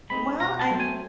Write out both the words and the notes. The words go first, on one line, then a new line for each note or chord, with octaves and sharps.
Well, I'm
G#3 C4 D#4 B5
B2 A#5
A5
F#3 A3 C4
G#5